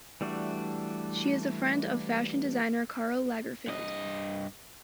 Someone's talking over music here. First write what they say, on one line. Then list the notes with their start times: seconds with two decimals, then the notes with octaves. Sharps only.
She is a friend of fashion designer Karl Lagerfeld.
0.21 E3 G3 A3 D4 F#4
3.68 G2 D#5